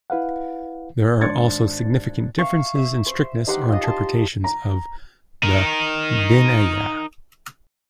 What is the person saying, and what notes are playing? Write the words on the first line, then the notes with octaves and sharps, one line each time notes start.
There are also significant differences in strictness or interpretation of the "vinaya".
E4 B4 F5 F#5
G#1 D4 C6 G#6 A6 C#7
E5 F5 C#6
E5
C5
D#4 G4 C5 F#5
F4 D#5
A5 C6
A#5
D#4 A#4